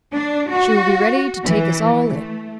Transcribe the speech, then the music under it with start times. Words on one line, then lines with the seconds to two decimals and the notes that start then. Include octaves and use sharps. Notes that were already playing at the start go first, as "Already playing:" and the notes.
She will be ready to take us all in.
0.14 D4
0.51 F#4
1.45 E3
2.06 A3